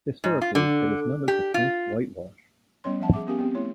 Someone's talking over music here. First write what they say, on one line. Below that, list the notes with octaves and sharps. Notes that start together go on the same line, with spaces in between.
Historically, it is known as the paint whitewash.
G#2
F4
D3
G4
F4
G3 B3 C#4 C#5 C6
F3 E5 F#5 A5
G#4 E5 D6
B3 C#4 G4 A#4 F5 G#5
B3 C4 G4
A3 E4 C#5